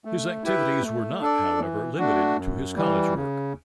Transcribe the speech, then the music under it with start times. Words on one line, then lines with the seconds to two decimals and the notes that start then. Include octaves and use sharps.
His activities were not, however, limited to his college work.
0.05 A3
0.43 E4 G4 B4 E5
0.83 A3
1.21 D4 A4 D5
1.60 E3
1.98 A3 D4 F#4
2.37 F#2
2.76 E3 G3
3.14 C#3